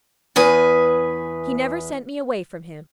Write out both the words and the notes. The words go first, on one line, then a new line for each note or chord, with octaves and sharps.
He never sent me away from him.
E2 G#4 B4 G#5